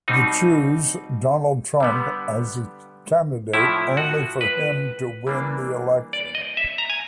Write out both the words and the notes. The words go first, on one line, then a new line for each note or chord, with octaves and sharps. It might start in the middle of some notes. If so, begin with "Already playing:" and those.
The choose Donald Trump as a candidate, only for him to win the election.
B2 G3 C4 D#4
D3 G3 B3
A2 F3 A3 E4
F#4
B4
E3 G3 A#3 D4
D5
D#5
E5
A#5
G#5